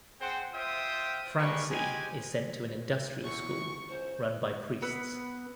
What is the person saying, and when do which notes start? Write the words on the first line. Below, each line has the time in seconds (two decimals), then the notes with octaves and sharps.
Francie is sent to an 'industrial school' run by priests.
0.20 C4 G#4 C5 F#5 G5
0.53 F4 C5 E5 G5 D#6
1.37 G3 G#3 A#3 B4 C#6
1.70 G#3 C4 G4 G#5
3.24 E2 C#6
3.89 C#2 C5
4.82 B3 B4 E6